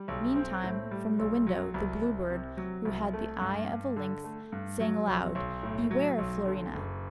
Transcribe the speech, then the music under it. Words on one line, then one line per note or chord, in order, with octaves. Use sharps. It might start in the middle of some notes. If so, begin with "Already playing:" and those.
Meantime, from the window the Blue Bird, who had the eye of a lynx, sang aloud, "Beware, Florina!"
Already playing: G3
B1
C4
A2
G3
B1
F#3
C2
C2
C3
F#3
C2
A3
G2
G2
D3
A3
G2
F#3
B1
B1
A2
F#3
B1
D3
F#1